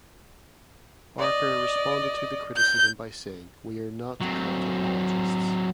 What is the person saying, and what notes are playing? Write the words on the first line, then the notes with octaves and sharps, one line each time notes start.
Barker responded to the criticism by saying, We are not cult apologists.
D5 D#5
G6
F#3 C4